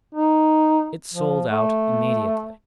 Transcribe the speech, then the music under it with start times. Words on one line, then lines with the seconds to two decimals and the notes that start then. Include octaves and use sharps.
It sold out immediately.
0.15 D#4
1.14 F3
1.49 A3